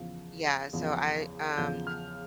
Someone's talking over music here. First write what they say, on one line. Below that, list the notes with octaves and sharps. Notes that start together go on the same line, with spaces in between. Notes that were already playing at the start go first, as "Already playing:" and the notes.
yeah, so I, um,
Already playing: E2 C#3 F3
E2 C#3 F3
E2 C#3 F3 G6
F6